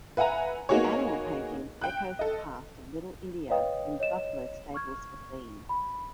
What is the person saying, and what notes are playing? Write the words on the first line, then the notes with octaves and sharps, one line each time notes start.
The animal paintings echoes the past of Little India when buffalo stables were seen.
B4 E5 F#5 G#5 A#5
A#3 B3 D#4 F#4 G#4 C#5
G5 F#6
A4 D#5
B4 C#5 D#5 F5 G5 D#6
C#5 D#5 E7
C#6 F6 G#6
B5